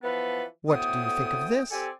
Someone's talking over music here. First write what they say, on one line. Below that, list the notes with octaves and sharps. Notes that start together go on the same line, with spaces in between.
"What do you think of this?"
E3 F3 B3 A4 B4
D2 A2 B3 G5 D#6
C4 G4 A4 D5 G#5